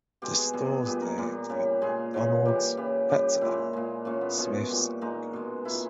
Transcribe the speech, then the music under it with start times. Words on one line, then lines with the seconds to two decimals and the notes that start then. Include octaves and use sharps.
The stores there include McDonald's, Pets at Home, Smyths and Currys.
0.22 B2 G#3 G4
0.38 G#4
0.53 B2 G3 G#4
0.65 G#4
0.85 A#2 G3 G#4
1.01 A#4
1.18 A#2 G3
1.50 C#3 G3
1.82 A#2 G#3 G#4
2.14 C#3 E3 G#3
2.45 A#2 G3 G4
2.77 C#3 G3
3.09 C#3 G3 G4
3.41 A#2 G#3 E4
3.73 A#2 G#3
4.05 A#2 G#3 C#4
4.21 B3
4.38 B2 G#3 C#4
4.70 A#2 G3
5.01 A#2 G#3 D#4
5.33 B2 G#3
5.65 A#2 G#3 E4